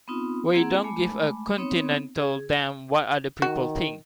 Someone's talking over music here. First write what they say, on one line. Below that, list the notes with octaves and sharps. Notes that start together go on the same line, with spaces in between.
We don't give a continental damn what other people think.
B3 C4 D#4 F4
A#3 C4 E4 G#4 F#5 A#5
G#3 A3 G#5 B5 D6
B3 C4 D#4 C#5
G#4
D#3 F#4